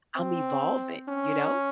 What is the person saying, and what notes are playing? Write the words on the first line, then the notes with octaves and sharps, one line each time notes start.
I'm evolving. You know?
C4
C#4